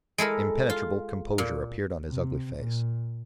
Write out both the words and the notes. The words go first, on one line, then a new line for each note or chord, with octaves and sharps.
Impenetrable composure appeared on his ugly face.
G#3 E4 A4 A#4
F4
A#2
C3
A#2